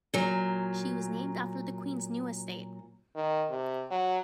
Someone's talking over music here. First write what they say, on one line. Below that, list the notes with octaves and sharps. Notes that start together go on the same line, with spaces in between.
She was named after the Queen's new estate.
A#2 F#3
D#3
C3
F#3